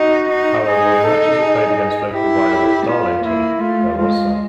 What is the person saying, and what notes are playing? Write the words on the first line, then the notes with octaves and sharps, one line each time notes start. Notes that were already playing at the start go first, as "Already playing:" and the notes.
However, when matches were played against local rivals Darlington, there was some.
Already playing: D#4 F#4
D#4
D#4 G#4
A4
G#4
E4 G4
G4
B3 F4
A#3 E4
A3 F4
G#3 F4